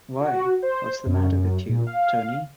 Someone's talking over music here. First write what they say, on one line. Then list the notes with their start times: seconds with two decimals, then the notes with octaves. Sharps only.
Why, what's the matter with you, Tony?
0.21 F#4
0.62 C5
1.06 F#2
1.32 F#2
1.69 A#2
1.87 F5